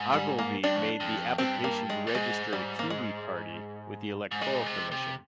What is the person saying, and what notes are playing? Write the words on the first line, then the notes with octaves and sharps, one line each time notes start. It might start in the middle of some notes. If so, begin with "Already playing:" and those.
Ogilvy made the application to register the Kiwi Party with the Electoral Commission.
Already playing: G#2
G3
A#3
G2 D4
F2
F2
G2 C4
A#3
G#3
A#2
G#2 G#3
G3
A#3
G#3
G#2
A#2 G#3
C3
C3